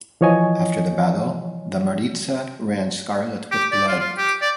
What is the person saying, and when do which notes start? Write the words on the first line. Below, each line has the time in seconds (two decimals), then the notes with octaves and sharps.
After the battle, the Maritsa ran scarlet with blood.
0.21 E3 F3 C#5 D#5 G#5
3.51 G4
3.72 D5
3.88 F4
4.00 F4
4.17 G4
4.42 D5